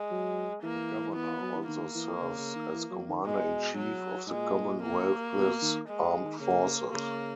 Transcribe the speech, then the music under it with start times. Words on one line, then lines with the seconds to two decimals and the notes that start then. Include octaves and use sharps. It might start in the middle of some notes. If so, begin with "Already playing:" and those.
The governor also serves as commander-in-chief of the Commonwealth's armed forces.
Already playing: G#3
0.11 F#3
0.63 E3 A#3
1.16 B3
1.41 F#3
1.55 E3
1.67 D#3 A#3
1.95 E3
2.20 C#3
2.38 C#3
2.55 D#3
2.73 E3
2.91 F#3
3.08 D#3
3.26 B2 G#3
3.77 F#3
4.26 G#2
4.30 A#2 G#3
4.83 A#3
5.36 B2
5.62 D#3
5.89 G#3
6.23 D#3
6.40 C#3 A#3
6.93 C#3 A#3